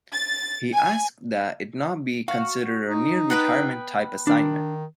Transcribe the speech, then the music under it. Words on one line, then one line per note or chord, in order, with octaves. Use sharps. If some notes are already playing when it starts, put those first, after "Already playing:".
He asked that it not be considered a near-retirement type assignment.
A6
G#5
F#4 F5
D#4
B3 B4 G5
D#3 D4